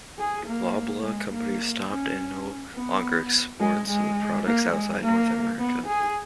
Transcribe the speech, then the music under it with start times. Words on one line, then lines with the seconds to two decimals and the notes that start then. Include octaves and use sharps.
Loblaw Companies stopped and no longer exports the products outside North America.
0.19 G#4
0.46 A#3
1.03 G#3
1.32 A#3
1.89 C#4
2.74 B3
3.59 G#3
3.88 G#3
4.45 A#3
4.73 G#3
5.02 A#3
5.59 B3
5.87 G#4